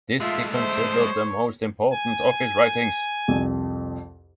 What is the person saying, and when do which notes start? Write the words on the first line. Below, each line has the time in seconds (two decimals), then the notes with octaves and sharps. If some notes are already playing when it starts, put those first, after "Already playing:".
This he considered the most important of his writings.
0.20 G#3 A3 F4 E5
0.54 C5 E5
0.99 C#5
1.93 G#5
3.28 C2 F2